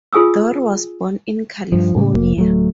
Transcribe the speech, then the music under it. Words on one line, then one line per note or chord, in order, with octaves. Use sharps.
Dorr was born in California.
F4 G#4 G#5 D#6 E6
G2 F3
A2 C#3 G3
F1 A#3
D1 F#3 G3 A3